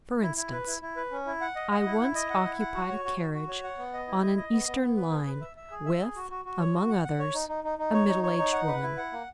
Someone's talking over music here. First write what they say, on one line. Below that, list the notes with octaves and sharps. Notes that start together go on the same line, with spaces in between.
For instance, I once occupied a carriage on an eastern line with, among others, a middle-aged woman.
E4
E4
B4
E4
E4
B4
C#4
E4
F#5
D#5
F#5
E4
E4
D#5
F#5
E4
F#5
F#4
C#5
F#4
F#4
F#4
C#5
F#5
B3
D#5
E4
D#5
D#5
B3
B3
B3
B4
G#4
B4
E5
E5
G#4
E5
G#4
F#4
F#4
F#4
C#5
F#4
F#5
F#5
C#5
D#4
D#4
D#4
D#4
C#5
D#4
C#5
D#4
F#5
B4
E4
F#5
A#3